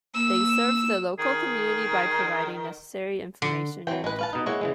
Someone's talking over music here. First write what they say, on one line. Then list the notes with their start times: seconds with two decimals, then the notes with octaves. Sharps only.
They serve the local community by providing necessary information and entertainment.
0.14 A#3 E6
1.19 D#3 G#4
3.42 D3
3.87 E3 F#3 C4 G5
4.04 A1 G#3 B4
4.19 B4 F5 A5
4.33 B2 D#4
4.46 G#3 A#3 E4 C#5 F#5
4.61 C#3 E3 G#3